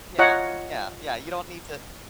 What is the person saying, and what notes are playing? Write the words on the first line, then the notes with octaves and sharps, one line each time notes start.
Yeah. Yeah, yeah. You don't need to
F4 C#5 D#5 F#5 A#5